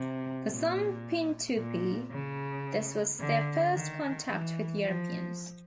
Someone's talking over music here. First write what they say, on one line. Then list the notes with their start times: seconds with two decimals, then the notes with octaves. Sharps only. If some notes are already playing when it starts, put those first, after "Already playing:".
For some Pintupi, this was their first contact with Europeans.
Already playing: C3
0.47 A#2
1.56 A#2
2.11 C#3
3.20 D3
3.75 D#3
4.29 E3
4.83 F3